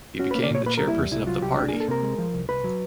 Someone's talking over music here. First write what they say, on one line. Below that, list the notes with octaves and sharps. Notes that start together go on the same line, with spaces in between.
He became the chairperson of the party.
C#4 F#4
A#3 B4
D5
A#2 C#5
A#3 B4
G3 A#4
E4
E2
C2 E4
F#3 F4
C2 G4
D4 G4
A#3 G#4
A4
C3 A#4
G#3
F3
C2
C2 B4
F#3